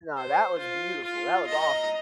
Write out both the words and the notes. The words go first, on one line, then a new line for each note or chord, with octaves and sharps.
No, that was beautiful, that was awesome.
C5
F4
F4
D#5 A#5